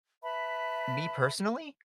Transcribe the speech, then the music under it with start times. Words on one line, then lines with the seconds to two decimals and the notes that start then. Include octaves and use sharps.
me, personally?
0.23 B4 E5 A5 B5